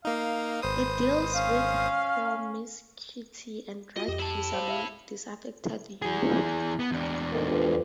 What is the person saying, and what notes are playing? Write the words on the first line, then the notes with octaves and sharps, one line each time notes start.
It deals with promiscuity and drug use among disaffected youth.
A#3 D#4 F5
G#1 B4 C5 D#6
C#4 F5
F4 F#4 D#5
F2 G4
E4 A5
C5 F5
G4 E5 F5
E3 G#4
B3
E2 D4
D2 A#2 D#3
D2 G2 F3